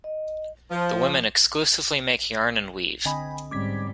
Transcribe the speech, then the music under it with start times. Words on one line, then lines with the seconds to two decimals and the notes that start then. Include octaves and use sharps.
The women exclusively make yarn and weave.
0.04 D#5
0.71 F3
3.05 D3 C4 D#5 G5 G#5 B5
3.51 G#2 G3 C4 C#4 D6 G#6 B6